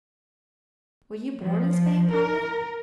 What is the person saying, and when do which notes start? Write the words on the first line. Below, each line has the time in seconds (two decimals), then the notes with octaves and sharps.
"Were you born in Spain, Pablo?"
1.42 F3
2.12 A#4